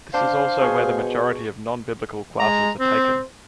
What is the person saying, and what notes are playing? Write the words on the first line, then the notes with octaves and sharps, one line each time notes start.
This is also where the majority of non-biblical classes are taken.
D4 C5 F5
B2 G#4 C#6
G#3 A#5
C4 C5